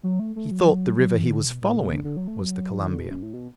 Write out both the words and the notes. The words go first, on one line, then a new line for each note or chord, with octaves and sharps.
He thought the river he was following was the Columbia.
F#3
A3
A3
F#3
F#3
E3
D3
B2
A2
B2
D3
D3
F#3
A3
F#3
E3
D3
B2
F#2
A2
B2